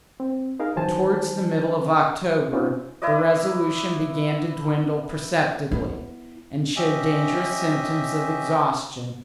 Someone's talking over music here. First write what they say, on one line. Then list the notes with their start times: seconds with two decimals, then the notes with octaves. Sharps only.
But towards the middle of October the resolution began to dwindle perceptibly, and showed dangerous symptoms of exhaustion.
0.20 C4
0.60 D#4 G#4 A#4 F5
0.76 D#3 E3 F#3 C5 G#5 A5
2.53 B3 C#4 D#4 F4
3.02 E4 B4 D5 D#5
5.71 B3 E4
6.76 C#4 G4 D#5 E5